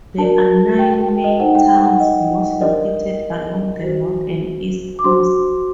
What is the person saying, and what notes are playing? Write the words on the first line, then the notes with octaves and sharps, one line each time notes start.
There are nine main towns, most located along the north and east coasts.
D4 F#4 A#4 D5 A5
G5
G5
G5
D#5
D#4 A4 C5 F#5
G5
G5
F#5
D#5
D4 G4 A#4 D5 D#5
F#4 C5
D6
D4 F#4 C5 C6